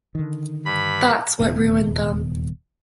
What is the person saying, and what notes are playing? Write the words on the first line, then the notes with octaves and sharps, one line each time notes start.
That's what ruined them.
D3 D#3
G2 B5
D#1 E2 C3 B3